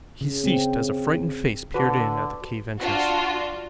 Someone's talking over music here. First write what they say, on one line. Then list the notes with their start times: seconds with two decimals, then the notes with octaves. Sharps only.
He ceased as a frightened face peered in at the cave entrance.
0.21 C#3
0.44 C4
1.74 D3 F#4 B4
2.79 D4 F4 F#4